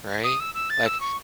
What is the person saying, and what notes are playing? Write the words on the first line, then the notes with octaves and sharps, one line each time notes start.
Right? Like,
D#6
E6
E6
A6
E6
C#6